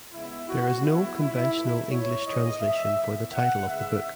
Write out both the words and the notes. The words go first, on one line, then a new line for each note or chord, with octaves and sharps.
There is no conventional English translation for the title of the book.
C#3 G#3 B3 E4
F#4
C#3 F#3 B3 E4
E4
B2 A3 E4
C#5
G#2 E3 G#3 B3 D#5
E5
A2 E3 B3 E5
F#5
E2 C#3 G#3 B3 E5